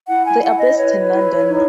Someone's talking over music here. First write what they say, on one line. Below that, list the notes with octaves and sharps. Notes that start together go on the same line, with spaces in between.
They are based in London.
E4 F#5
G#5
E4 F#5
D#5
B4 C#5
E4
D#4